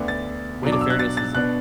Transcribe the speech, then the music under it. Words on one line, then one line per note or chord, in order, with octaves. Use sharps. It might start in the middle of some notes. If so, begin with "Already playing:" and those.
the way to fairness is
Already playing: D2 D3 B3 D4
A6
B2 F#3 D4
D6
E6
F#6
A6
A6
B2 B3 D4 F#6